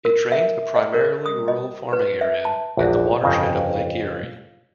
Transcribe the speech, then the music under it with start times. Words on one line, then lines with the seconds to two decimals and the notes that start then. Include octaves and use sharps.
It drains a primarily rural farming area in the watershed of Lake Erie.
0.05 A#4
0.32 E5
0.76 D#5
0.94 A#4
1.26 D#6
1.48 D#5
1.93 B4
2.21 E5
2.45 A5
2.77 A#1 E2 F#4
3.23 G1 F2 C#3 C5 D#5